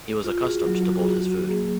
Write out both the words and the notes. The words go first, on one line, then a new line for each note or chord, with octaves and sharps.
He was accustomed to bolt his food.
F4
G#4
F#4
G#4
F#3 F#4
F#4
G#4
F#3 F#4
F#4
A#3 G#4